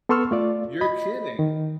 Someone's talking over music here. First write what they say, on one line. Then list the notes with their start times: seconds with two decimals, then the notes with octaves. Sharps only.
You're kidding!
0.09 B3 A4 C6 C#6 E6 F6
0.31 A3 F4 D5
0.81 D#5 B5
1.39 D#3